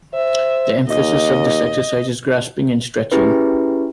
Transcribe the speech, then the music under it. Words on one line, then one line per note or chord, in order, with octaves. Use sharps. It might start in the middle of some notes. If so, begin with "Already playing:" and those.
The emphasis of this exercise is grasping and stretching.
C5 E5
D#2 D#5
C#4 E4 G4 G#4 B4